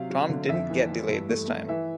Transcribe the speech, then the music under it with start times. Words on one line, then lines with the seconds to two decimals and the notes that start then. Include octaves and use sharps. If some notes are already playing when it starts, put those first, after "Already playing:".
Tom didn't get delayed this time.
Already playing: C3 F#3 F5
0.10 F#3
0.29 D3
0.49 F2 E5
0.70 E3
0.90 E3
1.09 G2
1.29 A3
1.48 A3
1.68 E3 E5